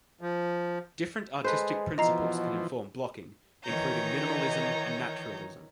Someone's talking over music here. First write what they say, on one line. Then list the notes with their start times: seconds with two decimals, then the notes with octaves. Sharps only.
Different artistic principles can inform blocking, including minimalism and naturalism.
0.21 F3
1.44 G#3 A4 B4 C5
1.98 B2 E3 F3 D#5 A#5 C7
3.63 D#3 E3 D#4 C#5 A#5 G6